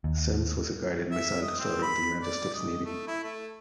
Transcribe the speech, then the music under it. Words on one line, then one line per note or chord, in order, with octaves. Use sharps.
"Semmes" was a guided missile destroyer of the United States Navy.
D#2
E5
D#5
C4
B5
D5
D#5
A3
E4
A3